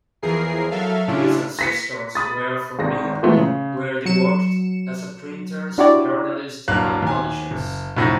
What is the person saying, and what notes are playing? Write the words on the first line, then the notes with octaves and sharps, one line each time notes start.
His ancestors were from Riga, where they worked as printers, journalists and publishers.
E2 E3 F3 G#4 A#4 C7
F#3 A4 E5 F5
A2 C#3 C#4 D4 E4 F4
A#6 B6 C#7
B5 D#6 A6
G#1 A#6
E3 F3 G#3 A3 B3 F4
C#3
F#3 C#7 E7
D4 E4 F#4 G4 C#5 D5
D1 G2 F#3 A#3 F5 F#6
D#2 G#5
F#1
C2 F#2 A2 F3 D#4 A#6